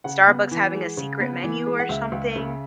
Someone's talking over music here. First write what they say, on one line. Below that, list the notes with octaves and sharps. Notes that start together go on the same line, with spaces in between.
Starbucks having a secret menu or something,
C#3 F#5
B3
E3
G#3
C#3
B3
E3
G#3
F#5
C#2 E5
C#2
C#3